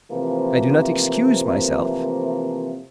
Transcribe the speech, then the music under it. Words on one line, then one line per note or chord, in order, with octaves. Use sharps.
I do not excuse myself.
C3 E3 F3 A3 A#3